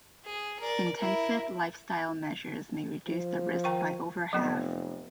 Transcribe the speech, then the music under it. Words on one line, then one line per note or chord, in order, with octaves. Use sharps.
Intensive lifestyle measures may reduce the risk by over half.
G#4
A#4 D5
E4 A#4
F3
D#3 G5 C#6
F1 F#3 B3